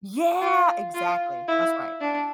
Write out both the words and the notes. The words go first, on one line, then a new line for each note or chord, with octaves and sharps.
Yeah, exactly that's right.
F4
F4
E4
D4